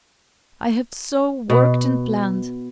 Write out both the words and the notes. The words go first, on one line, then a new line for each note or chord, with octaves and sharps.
I have so worked and planned.
B2